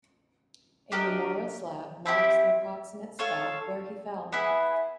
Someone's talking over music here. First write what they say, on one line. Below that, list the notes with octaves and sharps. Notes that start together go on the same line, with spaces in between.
A memorial slab marks the approximate spot where he fell.
D4 G4 A#4 D#5
C4 E4 G4
F4 A4 C#5 F5
B3 E4 G#4